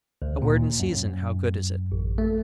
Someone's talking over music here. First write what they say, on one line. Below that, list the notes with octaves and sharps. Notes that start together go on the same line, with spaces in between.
A word in season, how good is it?
D2
A#2
F#2
A1
A3